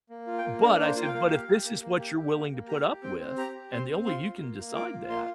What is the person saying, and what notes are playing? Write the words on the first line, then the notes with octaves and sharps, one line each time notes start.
but I said, but if this is what you're willing to put up with, and the only you can decide that.
A#3
F4
G5
A#3
D4 A#4
A#3
C5
F4
G5
F5
A#3
G4
G4
A#3
A#3
G4
G4
A#3
A#3
G4 A#5
G4
C4 G5
C4
G4 A#5
G4
C4 C6
C4
F4 C6
F4
A#3
A#3
F4 D6
F4
A#3 C6